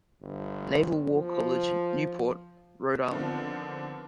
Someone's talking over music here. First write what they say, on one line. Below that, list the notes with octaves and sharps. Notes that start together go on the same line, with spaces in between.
Naval War College, Newport, Rhode Island.
G1
F3
D3 D#3 F3 B3 C4